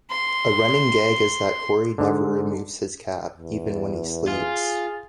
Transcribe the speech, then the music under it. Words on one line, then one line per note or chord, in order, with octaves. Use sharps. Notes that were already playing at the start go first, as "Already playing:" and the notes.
A running gag is that Korey never removes his cap, even when he sleeps.
C6
G#2 D3
E2
F4 G#4